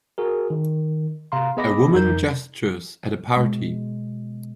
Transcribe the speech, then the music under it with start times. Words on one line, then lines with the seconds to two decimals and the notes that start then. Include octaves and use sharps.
A woman gestures at a party.
0.18 F#4 G#4 A#4
0.50 D#3
1.32 C3 F5 A#5 C6
1.57 B3 G#4 D#5 B5 D6 A#6
1.94 F2 D#4 A#4 G6
3.37 B2 G#3